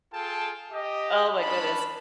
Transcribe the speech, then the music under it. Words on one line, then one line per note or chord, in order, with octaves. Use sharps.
oh my goodness,
F4 G#4 A4 G5 A5
G4 D#5
C#4 D4 A5 B5